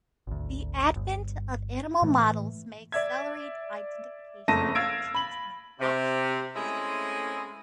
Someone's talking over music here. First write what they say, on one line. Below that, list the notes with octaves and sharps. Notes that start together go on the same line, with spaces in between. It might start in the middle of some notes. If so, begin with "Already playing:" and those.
The advent of animal models may accelerate identification of treatment options.
G#1 D2
G1
A2 E3 A3
D5 E5 G#6
F#1 F2 A3 A5 A#6 D#7
F5 E6 G#6 A6 D7
B5 F#7
C3
G#3 A3 C4 C#4 E4 G#4